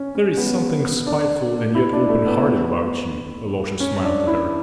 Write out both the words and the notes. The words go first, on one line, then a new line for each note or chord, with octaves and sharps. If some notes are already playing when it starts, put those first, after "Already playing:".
"There is something spiteful and yet open-hearted about you," Alyosha smiled to her.
Already playing: C#4
C#4
B3
D4
E4
D4
A3
B3
C#4
D4
E4